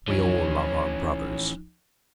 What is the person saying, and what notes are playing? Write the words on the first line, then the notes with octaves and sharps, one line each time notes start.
"We all love our brothers."
C#2 E3 F3 C#4 D#4 C#5